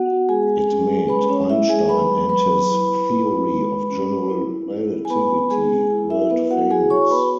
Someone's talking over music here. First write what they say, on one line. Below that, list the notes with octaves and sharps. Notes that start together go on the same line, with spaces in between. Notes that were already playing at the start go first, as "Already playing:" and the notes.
It made Einstein and his theory of general relativity world-famous.
Already playing: B3 F#4 F#5
G#3 G#4 G#5
C#4
G#3 B4 B5
C#4 C#5
G#3 E4 E5
G#4 G#5
F#3 B4 B5
F#3 B4 B5
E4
E4
G#3
C#4
E4
E4
G#5
B3 B4 B5
G#3 G#4 G#5
E4
E4 E5
B3 E4 B4
F#4 F#5
F#4 G#4 G#5
C#5 C#6
B3 B4 B5